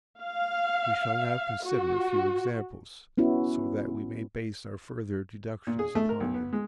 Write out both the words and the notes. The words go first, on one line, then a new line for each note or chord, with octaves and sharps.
We shall now consider a few examples so that we may base our further deductions upon them.
F5
F#4
B3 C#4 E4 F#4
A#2
G#4
A3
A#4
B1
B3
G#3